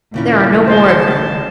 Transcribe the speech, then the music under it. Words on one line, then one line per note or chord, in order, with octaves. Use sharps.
"There are no more of them."
D#2 A#2 C#3 E4
C5 D#5 A5